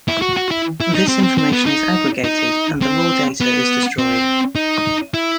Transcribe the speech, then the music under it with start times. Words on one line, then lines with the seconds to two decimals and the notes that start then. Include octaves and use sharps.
This information is aggregated, and the raw data is destroyed.
0.08 E4
0.22 F#4
0.37 F#4
0.51 E4
0.80 E4
0.95 D#4
1.08 C4
1.23 C4
1.38 C4
1.52 B3
1.66 D#4
2.24 D#4
2.82 C4
3.40 B3
3.98 C4
4.55 D#4
5.14 E4